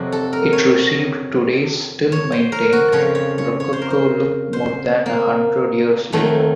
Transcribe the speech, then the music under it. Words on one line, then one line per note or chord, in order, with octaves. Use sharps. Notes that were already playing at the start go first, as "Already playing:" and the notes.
It received today's still maintained rococo look more than a hundred years later.
Already playing: F2 C3 F#3 F#4
A4
A#4
C#5
C#5
C5
A#4
F#4
F2 C#3 F3 C#5
C#5
C#5
C#5
C5
A#4
C5
C5
A#3
F2 D#3 F#3 A3